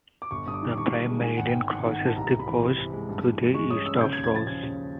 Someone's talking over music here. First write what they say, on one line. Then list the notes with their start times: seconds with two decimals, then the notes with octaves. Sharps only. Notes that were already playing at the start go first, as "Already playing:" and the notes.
The Prime Meridian crosses the coast to the east of Roos.
0.22 D6
0.31 G1 C#6
0.46 G2 D#6
0.54 D6
0.62 D#3
0.71 D6
0.77 G2 C#6
0.93 G2
1.08 G#3
1.24 D#3 G#5
1.37 G#1 F#5
1.46 G5
1.54 D#3
1.69 D#3 F#5
1.85 D#3
1.93 F#5
2.00 G#2 A5
2.16 C2 A#5
2.31 C2
2.39 B5
2.47 E3
2.62 C3
2.78 E3
2.93 G#3
3.09 G2
3.24 E3
3.39 E3
3.54 G#3 C#6
3.70 C#4 D#6
3.86 C#4 E6
4.01 C#3 G6
4.13 G#6
4.16 D#2
4.24 G#6
4.32 F3 A6
4.47 C#3 G#6
4.63 C#3